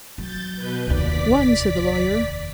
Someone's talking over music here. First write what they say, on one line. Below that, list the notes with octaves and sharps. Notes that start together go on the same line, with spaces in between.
"One," said the lawyer.
F#3 G6 A6
B2 B4 G6
F1 D#2 D5 B6